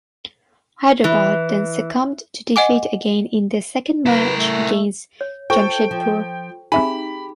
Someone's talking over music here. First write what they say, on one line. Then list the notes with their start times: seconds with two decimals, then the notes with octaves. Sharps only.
Hyderabad then succumbed to defeat again in their second match against Jamshedpur.
1.04 E3
2.56 D#5 F#5 G#5 D6
4.06 E4 A#4 B4
4.37 A3
5.21 C#5
5.50 F4 A4 C5 G5 C#6
5.91 F3
6.72 C4 D#4 G4 G#4 E5 G#5 A#5 B5